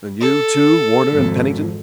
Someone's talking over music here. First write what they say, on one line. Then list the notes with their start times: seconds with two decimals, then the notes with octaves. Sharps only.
"And you, too, Warner and Pennington?"
0.21 A4
1.13 G#1 F2